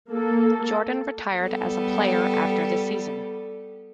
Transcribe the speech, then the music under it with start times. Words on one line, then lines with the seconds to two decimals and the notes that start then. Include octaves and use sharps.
Jordan retired as a player after the season.
0.10 A#3 A4
1.41 G3 B3 A4